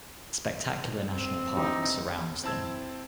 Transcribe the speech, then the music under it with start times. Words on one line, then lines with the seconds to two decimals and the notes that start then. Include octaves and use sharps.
Spectacular National Parks surrounds them.
1.09 C4
1.57 E3 D4 D#4 G4
2.44 C4 E4 A5 E6 G#6